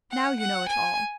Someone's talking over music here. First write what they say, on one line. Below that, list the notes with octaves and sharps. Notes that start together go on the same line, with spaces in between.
Now you know it all.
F#5
F#5
G#5